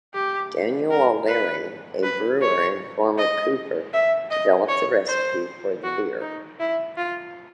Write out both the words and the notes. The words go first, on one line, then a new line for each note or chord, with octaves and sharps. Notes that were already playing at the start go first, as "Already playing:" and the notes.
Daniel O'Leary, a brewer and former cooper, developed the recipe for the beer.
G4
A#4
B4
B4
C#5
D#5
E5
D#5
C#5
C5
F#4
D#4
E4
F4